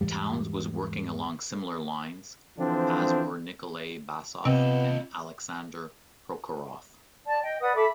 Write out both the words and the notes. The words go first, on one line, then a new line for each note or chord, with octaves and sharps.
Townes was working along similar lines, as were Nikolay Basov and Aleksandr Prokhorov.
E2 G#2 G3
D3 E3 F3 C4 D4
C3 B3 C4 F4 D#5
D5 A5
D#5 G5
B4 D5 F#5 D#6
A4 E5 B5 D6